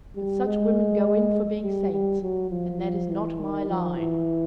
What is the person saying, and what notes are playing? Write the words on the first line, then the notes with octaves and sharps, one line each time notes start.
But such women go in for being saints, and that is not my line.
G3
G#3
G3
G3
F#3
F3
F3
E3
D#3
F3
E3